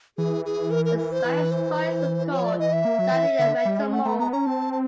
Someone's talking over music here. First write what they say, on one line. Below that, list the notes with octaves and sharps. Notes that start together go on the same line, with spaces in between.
The Spanish toys were called Jadali-Metamol.
E3 G#4
G#4
A#4
A#4
A#4
C5
E3 B4
C5
F3 C#5
D5
E3 D#5
E5
A#3
F#3
E3
D3
G3
G#3
A3 F#5
A3 A#5
B3 A#5
C#4 A#5
C4 A5
A5